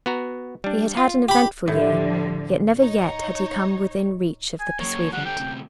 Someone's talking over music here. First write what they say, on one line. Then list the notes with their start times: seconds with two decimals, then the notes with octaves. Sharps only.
He had had an eventful year, yet never yet had he come within reach of the pursuivant.
0.06 B3 F#4 A#5
0.64 G3 D4
0.97 F4
1.29 G4 B5
1.68 A2 D3 F3 G3
2.77 D#4 C#5
4.60 G#5
4.80 F#2 A#3 C#5
5.12 F3 G3 F#5
5.26 D3 G4 G5
5.38 D2 C3